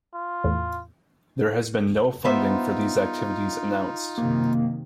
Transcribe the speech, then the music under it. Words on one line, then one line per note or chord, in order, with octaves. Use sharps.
There has been no funding for these activities announced.
F4
E2 A2
B3 D#4 F4 C5 E5
F#2 C3 D#3 A#3